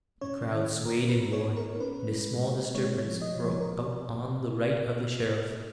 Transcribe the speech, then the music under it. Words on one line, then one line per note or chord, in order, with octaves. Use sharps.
The crowd swayed and roared, and a small disturbance broke out on the right of the Sheriff.
C#4 C#5
D#3
A#2 A#4
B4
A#2
C#5
B3
A#4
C#4 B4
G#3
A#2
G#3 C#5
C#5
F3
D#5
F3
C#5
A#4